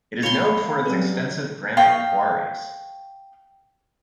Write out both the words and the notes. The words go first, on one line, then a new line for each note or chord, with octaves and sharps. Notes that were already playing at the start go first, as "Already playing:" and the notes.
It is known for its extensive granite quarries.
A3 C#5 F5 B5 C6
F#3 G3 C4 C#4 B4
F5 G5 C#6 D#6